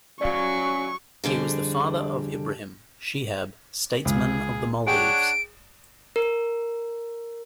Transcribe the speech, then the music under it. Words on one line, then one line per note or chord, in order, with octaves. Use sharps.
He was the father of Ibrahim Shihab, statesman of the Maldives.
F#3 C#4 D5 F5 C#6
F2 D3 G3 G#4
C#2 G#4
D4 G#4 C#5 F#5 G5 D7
A#4